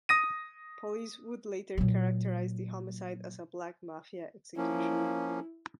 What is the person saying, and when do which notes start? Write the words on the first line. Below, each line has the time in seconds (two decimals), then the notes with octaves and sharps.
Police would later characterize the homicide as a Black Mafia execution.
0.09 D#6 A#6 D#7
1.78 A#2 F#3
4.57 F3 A#3 C#4 E4